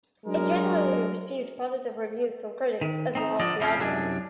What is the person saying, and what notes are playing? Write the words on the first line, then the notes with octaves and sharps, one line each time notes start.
It generally received positive reviews from critics as well as the audience.
F#3 G#3 D4 A#4
D#3
C4 D#4
D3 F3 D5 D#5
F2 C#3 F3 C4 C#4
C2 F#2 D4 G#5